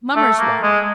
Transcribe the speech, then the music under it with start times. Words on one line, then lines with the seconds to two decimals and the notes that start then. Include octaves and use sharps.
Mummer's wire.
0.16 A3
0.39 A#3
0.62 G#3